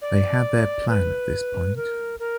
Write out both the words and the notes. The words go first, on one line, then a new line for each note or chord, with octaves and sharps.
They had their plan, at this point.
D5
B4
A#4
A#4